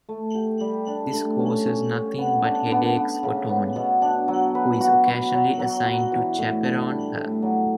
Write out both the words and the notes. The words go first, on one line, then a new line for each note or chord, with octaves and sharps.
This causes nothing but headaches for Toni, who is occasionally assigned to chaperone her.
A3
G4
G3
D4
A3
C#4
C#4
C#4
B3
D4
B3
B3
C#3
B3
B2
D4
F#3
B4
F#4
F#4
F#3
F#3
F#4
E3
A2
D4
G3
A2
F#3